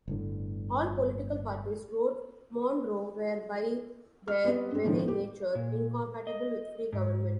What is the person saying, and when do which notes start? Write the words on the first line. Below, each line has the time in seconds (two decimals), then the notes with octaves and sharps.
All political parties, wrote Monroe, were by their very nature, incompatible with free government.
0.08 G1 A2 D3
4.28 F6
4.44 G3 B3 C4 B4 D#5
4.72 G2 C4
4.84 A2 D3 D#3 F3 G#3 A3
5.08 G4
5.55 A#2
6.27 D#5
6.93 G#2